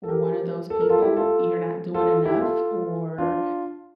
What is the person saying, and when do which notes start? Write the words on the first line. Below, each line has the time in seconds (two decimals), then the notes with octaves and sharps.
one of those people, you're not doing enough or
0.03 A4
0.08 G4 A#4
0.70 A4
0.80 A#4
0.89 F4 A4
1.02 E4 G4
1.17 F4 A4
1.94 F4 A4
2.25 E4 G4
2.41 F4 A4
3.18 D4 F4